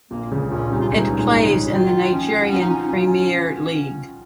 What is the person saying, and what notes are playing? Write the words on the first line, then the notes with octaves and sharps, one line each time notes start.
It plays in the Nigerian Premier League.
A#1 A#2 A#3
C#2 C#3
A#1 A#2 C#4
C2 C3 D#4
F4
C#2 C#3 D#4
G#2 G#3
C#3 C#4
D#3 D#4 F4
F3 C#4 F4
F#4
F3 C#4 F4
D#4
C#4
D#4
C#4
F3 D#4 F4
C#4
C#4